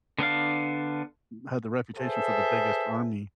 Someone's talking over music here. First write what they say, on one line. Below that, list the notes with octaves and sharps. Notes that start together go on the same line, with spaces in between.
had the reputation for the biggest army.
D3 B3 D4 F5
G#4 A4 B4 C5 E5